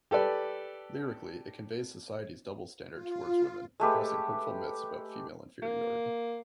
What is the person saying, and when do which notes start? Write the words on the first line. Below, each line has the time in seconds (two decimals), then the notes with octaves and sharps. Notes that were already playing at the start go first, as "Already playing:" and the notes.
Lyrically, it conveys society's double standard toward women, addressing hurtful myths about female inferiority.
0.11 G4 A4 B4 D5
2.93 F4
3.80 G#3 A3 G4 B4
5.62 A#3